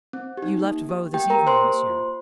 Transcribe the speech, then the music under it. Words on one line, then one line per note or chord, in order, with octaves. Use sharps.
"You left Vaux this evening, monsieur?"
C4
G4
D#4
A#3
G4
A#3 G4 G5
A#4 A#5
G4
C5 C6
A#3
F4